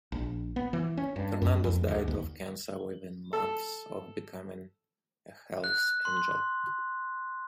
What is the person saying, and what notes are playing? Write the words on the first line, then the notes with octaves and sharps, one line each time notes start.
Fernandes died of cancer within months of becoming a Hells Angel.
A#1
B3
E3
C#4
G2
F#2
F2
D2
D#2
A4
F#6
C6